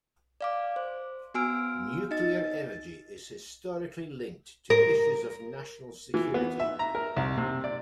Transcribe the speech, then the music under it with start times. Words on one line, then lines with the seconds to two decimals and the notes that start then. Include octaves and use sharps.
Nuclear energy is historically linked to issues of national security.
0.41 D5 F5 D6
0.76 C5
1.34 B3 F#4 G#5 E6 F6 D7
2.11 D#4 D#5 A6
4.70 A#4
6.14 E3
6.34 B3
6.60 E5
6.79 A#5
6.95 A#4
7.16 C2
7.38 C3
7.64 D5